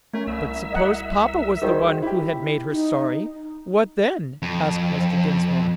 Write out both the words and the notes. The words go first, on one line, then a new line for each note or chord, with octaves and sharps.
"But suppose papa was the one who had made her sorry; what then?" asked Mr. Dinsmore.
A3 C#4 A#4
C2 E5
D#5 F#5 A#5
D#3 G3 F#4 G#4 C5
E4 G4
D#4
F2